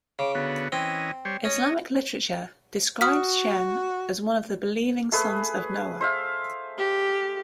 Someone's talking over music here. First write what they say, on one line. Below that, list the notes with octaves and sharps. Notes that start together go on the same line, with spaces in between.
Islamic literature describes Shem as one of the believing sons of Noah.
C#3 D6
D3 B3 F#4
E3 C4 C#4 D#5
G3 C5 C#5
C#4 C#5 D#5
F#4 D#6 F6 B6
A3 G#4 B4
C5 E5 F5
G4